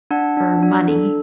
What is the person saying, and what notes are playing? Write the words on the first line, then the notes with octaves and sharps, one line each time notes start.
or money,
D4 F#5 A5
D4
D4
A4